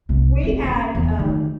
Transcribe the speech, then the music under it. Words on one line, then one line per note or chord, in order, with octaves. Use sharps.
We had, um
C2
C4
A#3 C#4
E2
D#3 A3